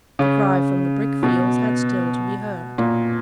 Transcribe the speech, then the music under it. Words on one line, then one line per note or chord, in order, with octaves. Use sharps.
The cry from the brickfields had still to be heard.
C#3
B2
A#2